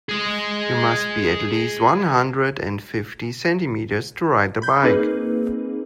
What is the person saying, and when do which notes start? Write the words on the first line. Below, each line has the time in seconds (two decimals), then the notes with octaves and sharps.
You must be at least one hundred and fifty centimeters to ride the bike.
0.09 G#4 D#5
4.62 B5 G6
4.83 A#3 C4 D#4 G#4 B4